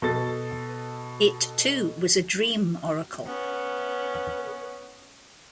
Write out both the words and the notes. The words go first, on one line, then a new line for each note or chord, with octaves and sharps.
It too was a dream oracle.
B2 A4 A6
B3 C#4